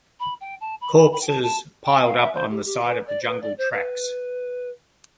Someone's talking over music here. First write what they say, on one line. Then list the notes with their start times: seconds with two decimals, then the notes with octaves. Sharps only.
Corpses piled up on the side of the jungle tracks.
0.19 B5
0.40 G5
0.60 A5
0.81 B5
0.97 B5
1.12 B5
1.21 G5
1.27 A5
1.43 A5
1.84 G5
2.04 F5
2.19 E5
2.34 C5
2.50 G4
2.65 G4
2.86 B4
3.07 D5
3.22 C5
3.27 B4
3.41 D5
3.58 C5
3.73 B4